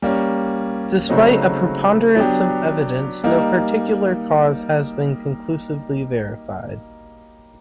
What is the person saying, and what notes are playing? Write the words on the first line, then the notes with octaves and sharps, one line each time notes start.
Despite a preponderance of evidence, no particular cause has been conclusively verified.
G3 A#3 C#4
C#3 F#3 A3 C4 D#4
F#3 B3 D4 G4
G3 A#3 D#4